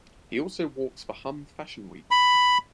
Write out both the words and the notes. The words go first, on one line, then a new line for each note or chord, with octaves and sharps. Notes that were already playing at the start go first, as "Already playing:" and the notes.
He also walks for Hum Fashion Week.
B5